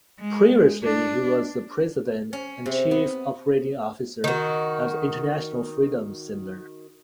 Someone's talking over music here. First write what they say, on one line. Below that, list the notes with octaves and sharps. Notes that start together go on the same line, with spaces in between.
Previously, he was the president and chief operating officer of the International Freedom Center.
G#3
D4
C#4
C3
B3
D#3 F#4